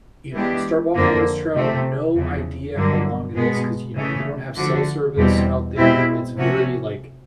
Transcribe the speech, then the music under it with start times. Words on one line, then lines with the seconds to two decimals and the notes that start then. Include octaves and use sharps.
you know, start walking on this trail, no idea how long it is 'cause, you know, you don't have cell service out there. It's very like
0.33 E3 G#3 B3 D4 G4
0.94 F2 D3 F3 A#3
1.54 C3 F3 A3 C4
2.14 E2 C#3 F3
2.74 G2 D3 F#3 A#3
3.35 B2 G#3 B3
3.96 C#3 E3 A3 C#4
4.55 D3 F3 A3 D4 F#4
5.16 E2 B2 G3 C4
5.77 B2 G#3 C4 E4
6.37 C3 F3 A3 C#4 F#4